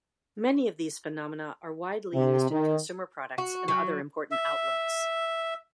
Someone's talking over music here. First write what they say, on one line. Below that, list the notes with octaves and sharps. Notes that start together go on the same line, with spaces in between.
Many of these phenomena are widely used in consumer products and other important outlets.
C3
D#3
F#4
F#3
E5